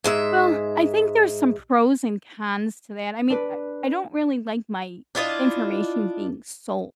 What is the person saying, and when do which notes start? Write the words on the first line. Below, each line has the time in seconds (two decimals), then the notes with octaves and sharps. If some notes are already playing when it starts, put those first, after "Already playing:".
Well, I think there's some pros and cons to that, I mean, I I don't really like my information being sold.
0.04 G#2 G#3 E5
3.30 D4 B4
5.15 D4 E4 F4 D#5